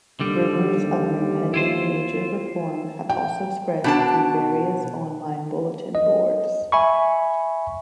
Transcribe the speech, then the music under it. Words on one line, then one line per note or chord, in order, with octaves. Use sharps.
Rumours of an impending major reform have also spread through various online bulletin boards.
D#2 D3 G3
E4 F4 C5
G5
B2 D4 A5
D#5
E5 G#5 B5 C#6